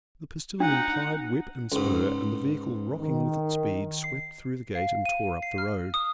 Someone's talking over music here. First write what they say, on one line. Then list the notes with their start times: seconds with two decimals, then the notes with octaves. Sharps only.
The postillion plied whip and spur, and the vehicle, rocking with its speed, swept through the gate and tore up the road.
0.60 D4 D#4 F#5
1.72 C#2 G#2
3.00 D#3
4.04 C7
4.75 F5
5.05 D#7
5.42 C7
5.58 F6
5.94 D#6